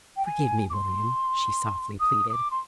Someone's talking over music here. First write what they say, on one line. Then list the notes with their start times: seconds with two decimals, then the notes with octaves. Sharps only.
"Forgive me, William," she softly pleaded.
0.16 G5
0.25 G#5
0.70 D6
0.73 C6
2.00 D#6
2.29 D#6
2.33 D6
2.51 C6